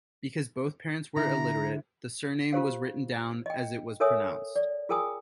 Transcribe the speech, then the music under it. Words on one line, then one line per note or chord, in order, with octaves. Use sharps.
Because both parents were illiterate, the surname was written down as it was pronounced.
D3 E4 A#5
F4 G4 C5 F5
D#5 G5
A4 A#4 C#5 E5 G#5 D#6
D5
F4 G#4 A#4 G5 G#5 D#6